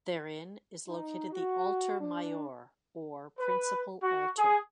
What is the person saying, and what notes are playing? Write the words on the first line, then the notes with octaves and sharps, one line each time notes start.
Therein is located the "Altar Mayor" or principal altar.
D#4
F#4
D4
B4
F#4
G#4